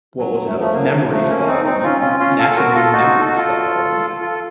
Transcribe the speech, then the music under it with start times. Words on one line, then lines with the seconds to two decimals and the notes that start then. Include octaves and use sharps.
what was another one? Memory foam, m NASA made memory foam.
0.19 F#3
0.46 A3
0.54 F#3
0.60 F3 A3
0.73 F#3 A#3
0.91 F#3
1.10 F3 A3
1.29 A#3 C#4
1.47 C4 D#4
1.64 C4 D#4
1.83 C#4 F4
2.01 C#4 F4
2.19 C#4 F4
2.38 F4 A4
2.51 A4
2.56 F#4 A#4
2.75 F4 A4
2.93 D#4 F#4
3.20 A4
3.28 F#4
3.37 F4 A4
4.21 F4 A4